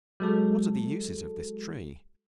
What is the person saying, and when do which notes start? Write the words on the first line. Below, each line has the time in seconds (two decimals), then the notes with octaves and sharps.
What are the uses of this Tree?
0.20 F#3 G#3 A4